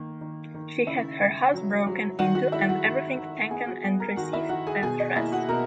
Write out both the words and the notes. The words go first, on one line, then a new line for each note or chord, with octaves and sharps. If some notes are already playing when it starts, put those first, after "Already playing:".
She had had her house broken into and everything taken and received death threats.
Already playing: D#3 A#3
D#3
D#3
C#3 E4 E5
C#3
F#3
F#3
D#3 F#4 F#5
F#4 F#5
G#3 E4 E5
F#4 F#5
D#3
D#3
B3 G#4 G#5
F#4 F#5
B3 G#4 G#5
A#4 A#5
D#3 F#4 F#5
E4 E5
D#3 F#4 F#5
G#4 G#5
B2 G#4 G#5
D#5
A#3 E4 E5
F#4 F#5
B2 A#4 A#5